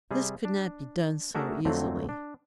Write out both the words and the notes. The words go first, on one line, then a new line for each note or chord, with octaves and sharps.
This could not be done so easily.
C3 G3 G#4
D4
A3 D4 F#4 G#4 A#4 E5
F2 D3 F#3 A3 C4
D4